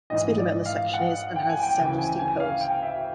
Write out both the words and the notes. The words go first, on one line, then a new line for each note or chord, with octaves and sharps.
The speed limit on this section is and has several steep hills.
A#1 G#2 E3 D#5
D5
F5
F#5
G5
G#5
G5
D2 C#3 E3 G5
G#5
G#5
F5
G5
E5